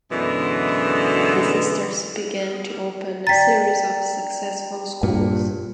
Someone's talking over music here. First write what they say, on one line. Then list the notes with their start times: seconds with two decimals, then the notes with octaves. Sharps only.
The Sisters began to open a series of successful schools.
0.12 F#2 B2 D3 E3 G#3
3.27 D5 G5 A#5 A6 B6
5.03 G2 A#2